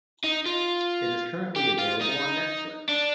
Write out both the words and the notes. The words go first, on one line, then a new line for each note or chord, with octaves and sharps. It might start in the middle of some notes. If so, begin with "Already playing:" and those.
It is currently available on Netflix.
D#4
F4
G4
F4
D#4
D4